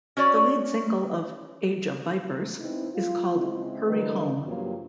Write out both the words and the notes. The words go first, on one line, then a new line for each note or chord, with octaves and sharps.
The lead single of "Age Of Vipers" is called "Hurry Home".
C#4 F#4 C#5 D5
G#3 B3 C4 D#4 E4
F4
C#3 G#3 C4 E4
D3 E3 G3 A#4 B4 D#5
G2 F3 F#3 A#3 F4 G4